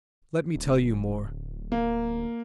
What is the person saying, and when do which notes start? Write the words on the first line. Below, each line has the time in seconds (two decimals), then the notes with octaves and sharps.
Let me tell you more.
0.55 D1
1.72 A#3